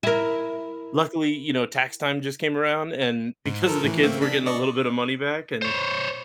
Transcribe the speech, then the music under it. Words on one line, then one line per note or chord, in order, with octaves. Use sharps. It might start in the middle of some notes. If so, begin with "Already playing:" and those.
luckily, you know, tax time just came around, and because of the kids, we're getting a little bit of money back and
E4 A#4
G#2
F3 A4 A#4
A2 E3
A3 A#3 C4
C#3 D4 B6
D5 D#5 C#6
C5 C#5